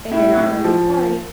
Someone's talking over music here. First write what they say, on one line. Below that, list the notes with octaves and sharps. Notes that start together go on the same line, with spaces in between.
Then you're not really sorry.
A2 E4
A2
F3